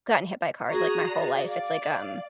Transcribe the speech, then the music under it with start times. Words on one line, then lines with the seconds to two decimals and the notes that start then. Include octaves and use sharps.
gotten hit by, uh, cars, like, my whole life. It’s like, um
0.70 F#4 G#4 A#5 C#6
1.09 D5
1.47 D5 F5
1.87 F5